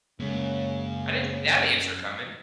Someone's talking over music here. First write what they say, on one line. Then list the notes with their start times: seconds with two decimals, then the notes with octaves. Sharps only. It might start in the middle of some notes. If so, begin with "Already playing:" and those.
I didn't see that answer coming.
0.20 F#2 C#3 G#3 A#3